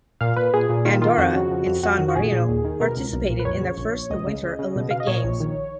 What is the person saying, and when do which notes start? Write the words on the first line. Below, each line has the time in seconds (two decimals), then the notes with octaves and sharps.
Andorra and San Marino participated in their first Winter Olympic Games.
0.21 A#2 F5
0.36 A#2 B4
0.54 A#2 G#4
0.69 A#2
0.85 D#3 F4
1.01 D#3 F4
1.18 F2 F#4
1.34 C#3
1.51 F2
1.66 F2
1.83 F2 F#4
1.99 D#3
2.08 F#4
2.15 A#1 G#4
2.32 A#2
2.49 D#2
2.64 D#3
2.80 B2 A#4
2.97 C#2
3.13 B1
3.30 A#2
3.39 B4
3.45 F2 C#5
3.61 C#3
3.77 A#1
3.94 A#1
4.10 C#2 D#5
4.27 C#3
4.43 C#3
4.59 C#3
4.76 B2
4.91 B2 F5
5.00 D#5
5.07 A#2 C#5
5.24 A#1
5.40 D#3